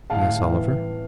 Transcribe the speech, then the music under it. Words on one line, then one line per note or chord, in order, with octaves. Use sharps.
"Yes, Oliver?"
A2 F5 A5
A2
E3